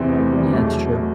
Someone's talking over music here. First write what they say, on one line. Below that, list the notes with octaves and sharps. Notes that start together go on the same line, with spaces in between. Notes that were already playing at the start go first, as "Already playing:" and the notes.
Yeah, it's true.
Already playing: E2 C3 E3 C4
B3
A3
G3
E2 B2 F#3 A3
A3